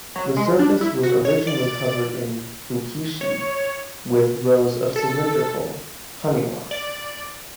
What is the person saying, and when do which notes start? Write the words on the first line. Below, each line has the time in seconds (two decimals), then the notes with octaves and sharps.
The surface was originally covered in "fukiishi" with rows of cylindrical "haniwa".
0.16 F#3
0.37 G#3
0.59 D4
0.81 E4
1.03 F#4
1.25 C#5
1.47 D5
3.21 C#5
4.96 A4
6.71 D5